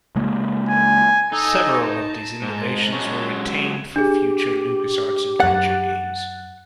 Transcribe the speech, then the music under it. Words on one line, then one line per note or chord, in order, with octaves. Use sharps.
Several of these innovations were retained for future LucasArts adventure games.
C#3 G#3 A#3
G#5
D#4 A4 D#5 G#5
A5 A#5
G#2
F#3 G#3 C#4
D4 G4 G#4
F#2 F#5 F#6 A6